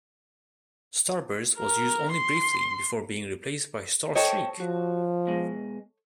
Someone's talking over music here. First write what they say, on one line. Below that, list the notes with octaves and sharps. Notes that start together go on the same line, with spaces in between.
Starburst was used only briefly, before being replaced by Starstreak.
A#4
C6
A4 C5 C#5 D#5 G5 A5
F3 F#4
B2 G#3